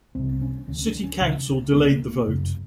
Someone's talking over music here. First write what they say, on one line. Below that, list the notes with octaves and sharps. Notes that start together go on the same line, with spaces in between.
City council delayed the vote.
C2 C3 C4
C#4
D2 D3 C#4
D4
C#4
C#2 C#3
C#2 C#3 B3
A#3
F#2 C#3